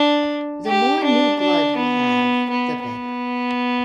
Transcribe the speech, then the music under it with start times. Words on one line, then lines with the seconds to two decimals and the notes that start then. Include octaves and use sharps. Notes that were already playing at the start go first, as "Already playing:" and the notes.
The more new blood we have, the better.
Already playing: D4
0.67 G4
1.04 D4
1.40 D4
1.76 B3
2.50 B3
2.86 B3